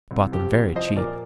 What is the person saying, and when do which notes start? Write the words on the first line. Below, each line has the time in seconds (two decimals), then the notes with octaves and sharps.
I bought them very cheap.
0.11 C2
0.32 F3 G4
0.54 C2
0.75 F3 C5 D#5
0.96 A#2 A#4 D5